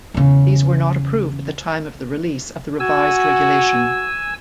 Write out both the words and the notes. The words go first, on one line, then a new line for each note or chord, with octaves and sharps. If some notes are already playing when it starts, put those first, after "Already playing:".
These were not approved at the time of the release of the revised regulation.
E2 C#3
F#4 G#5 E6